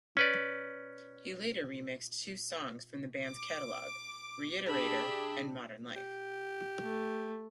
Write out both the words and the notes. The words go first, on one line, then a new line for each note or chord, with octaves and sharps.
He later remixed two songs from the band's catalogue - "Reiterator" and "Modern Life".
C#4 B4 D5
D6
D4 G4 G#4 E5 B5
G4
A3